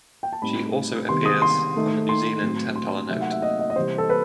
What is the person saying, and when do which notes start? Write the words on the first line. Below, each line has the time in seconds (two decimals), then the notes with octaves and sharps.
She also appears on the New Zealand ten-dollar note.
0.23 G5
0.33 A5
0.42 A2 G3 C4 D#4 B5
1.09 C3 D#3 G3 B3 C6
1.25 D#6
1.42 C6
1.76 D#3 A3 D#4
2.09 C6
2.42 A2 F#3 C4
2.76 C6
2.93 C6
3.09 C3 F#3 A3 C4 D#4 E5
3.20 F#5
3.32 E5
3.42 D#5
3.59 D#5
3.70 D#5
3.76 C3 E3 G3 C5
3.98 A4
4.09 B4